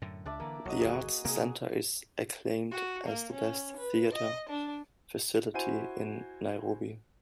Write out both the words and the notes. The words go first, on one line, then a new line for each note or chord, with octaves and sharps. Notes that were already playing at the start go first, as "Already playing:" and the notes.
The Arts Center is acclaimed as the best theatre facility in Nairobi.
F#2 A2 D3
C#2 D4 D5 E5
D3 E3 A#3
B1 F#3 D#5
G1 E2 F#4 G#4
C3 A#3 C4 G#4 G#5 A#5
F#4
A#3
C#4
B4
D#5
D4
E4 F#4 C5 G#5 D#7